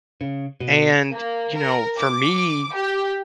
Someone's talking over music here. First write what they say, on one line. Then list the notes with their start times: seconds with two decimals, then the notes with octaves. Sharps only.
and, you know, for me,
0.21 C#3
0.60 B2
1.11 A#3
1.53 A#4
1.97 D6
2.73 G4